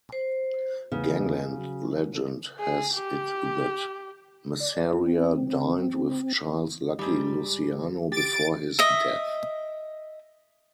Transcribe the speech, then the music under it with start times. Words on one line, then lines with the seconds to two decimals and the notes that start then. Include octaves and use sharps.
Gangland legend has it that Masseria dined with Charles "Lucky" Luciano before his death.
0.12 C5
0.92 E2 C#3 A3 B3
1.56 F#3
2.13 C#3 A4
2.59 G#4
2.96 G4
4.60 D5
4.93 C4
6.99 G#2 G3
8.12 G4 A6 D7
8.79 D#5 E5